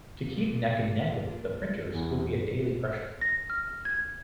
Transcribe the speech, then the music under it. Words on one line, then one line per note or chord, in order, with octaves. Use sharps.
To keep neck and neck with the printers would be a daily pressure.
A#2 D4 F4
E2
A#6
F6
G#6